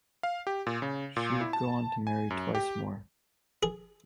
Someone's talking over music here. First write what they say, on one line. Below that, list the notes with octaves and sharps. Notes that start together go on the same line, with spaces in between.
She would go on to marry twice more.
F5
G4
A#2
C#3
A#2
E4
A5
G#5
F#2
G4
G#4